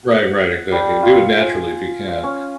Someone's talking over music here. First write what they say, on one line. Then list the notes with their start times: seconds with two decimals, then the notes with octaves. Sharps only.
Right, right, exactly. Do it naturally if you can.
0.13 F#5
0.72 G3
1.03 F4
1.41 G#5
2.08 F5
2.23 C#4